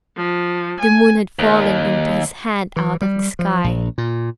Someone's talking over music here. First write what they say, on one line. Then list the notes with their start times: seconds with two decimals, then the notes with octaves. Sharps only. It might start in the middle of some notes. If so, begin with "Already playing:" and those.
The moon had fallen into his hand out of the sky.
0.16 F3
0.80 G#5
1.39 D#2
2.76 E3
3.01 G3
3.39 F3
3.64 A#1
3.98 A#2